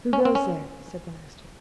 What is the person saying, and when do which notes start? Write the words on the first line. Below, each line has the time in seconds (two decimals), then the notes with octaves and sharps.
"Who goes there?" said the master.
0.13 C#4
0.25 C4
0.35 C#4